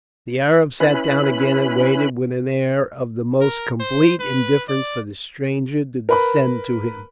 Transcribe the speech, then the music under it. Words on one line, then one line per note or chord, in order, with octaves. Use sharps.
The Arab sat down again and waited with an air of the most complete indifference for the stranger to descend to him.
C#4 E4 B4 B5
A#4
C5
B4
D5
A#4 B4 B5